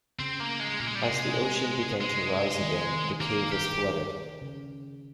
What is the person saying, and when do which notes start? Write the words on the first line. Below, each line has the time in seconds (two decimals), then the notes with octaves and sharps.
As the ocean began to rise again, the cave was flooded.
0.19 C#3 C4
0.40 A#3
0.60 G#3
0.80 A#2 A#3
0.87 G#3
0.96 G3
1.03 G#3
1.10 C3
2.01 G#3
2.61 D#3
2.92 D#3
3.21 A#3
3.52 G4
4.42 C#3